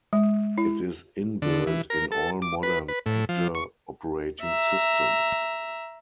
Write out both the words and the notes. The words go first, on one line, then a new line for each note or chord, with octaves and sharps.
It is inbuilt in all modern major operating systems.
G#3
E4
D3
E3
A#4
A4
D6
B4
B4
A2
F3
C#6
E5 A#5